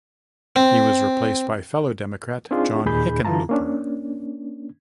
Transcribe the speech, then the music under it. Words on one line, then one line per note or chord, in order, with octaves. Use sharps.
He was replaced by fellow Democrat John Hickenlooper.
C4
C4 D4 D#4 F4 G#4
D#2 A#2 D#4 G#4 B5 G6
D3 E3 E4 F4 A5 A#5
A#3 C#4 D4